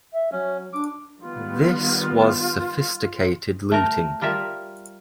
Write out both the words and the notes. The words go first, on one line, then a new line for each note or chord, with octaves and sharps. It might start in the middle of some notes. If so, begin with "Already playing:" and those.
This was sophisticated looting.
E5
F#3 C#4
D4 D6
D#3 G3 B3 F4
A3 A#4
G3 F4 A#4 E5